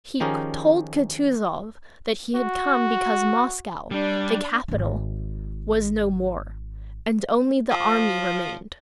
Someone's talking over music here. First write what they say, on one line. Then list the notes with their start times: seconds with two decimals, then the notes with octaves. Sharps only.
He told Kutuzov that he had come because Moscow, the capital, was no more and only the army remained.
0.20 D#3 F3 C#4 G4 G#4 A#4
2.35 F#4
3.91 G3 D4
4.68 D#1 G#1
7.70 F3